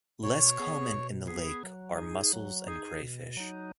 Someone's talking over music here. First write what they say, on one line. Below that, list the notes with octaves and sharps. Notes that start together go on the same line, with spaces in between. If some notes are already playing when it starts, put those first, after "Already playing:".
Less common in the lake are mussels and crayfish.
B2 C#5
B3 G#4
B2
B3 G#4
F#3
D#4 G#4
F#3
D#4 G#4
B2
F#3 D#4